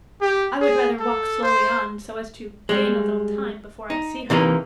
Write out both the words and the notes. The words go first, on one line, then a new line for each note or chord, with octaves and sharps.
'I would rather walk slowly on, so as to gain a little time before I see her.
G4
G#4
A4
C5
G3 G#3
D#4
C3 E3 A#3 D#4